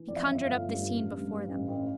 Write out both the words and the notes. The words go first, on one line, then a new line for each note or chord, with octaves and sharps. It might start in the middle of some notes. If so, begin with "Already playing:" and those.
He conjured up the scene before them.
Already playing: E3
F2 D5
E5
G1
F5
G1
G2
A1
G2
G2
A1
A1